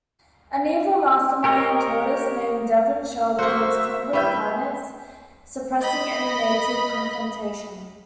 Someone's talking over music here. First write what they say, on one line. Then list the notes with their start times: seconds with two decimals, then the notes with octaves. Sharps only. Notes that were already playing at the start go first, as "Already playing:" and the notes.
An evil mastermind tortoise named Devan Shell begins conquering planets, suppressing any native confrontation.
1.44 G4 A#4 C#5 D#5
3.38 A#3 F#4 C5 E5 C#6 E6
4.13 G3 E4 B4 E5 C#6 G6
5.81 D#5 B5